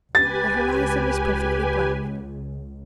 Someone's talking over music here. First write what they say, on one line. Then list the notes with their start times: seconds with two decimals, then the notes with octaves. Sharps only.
The horizon was perfectly black.
0.15 C#2 G4 B4 G#5 A6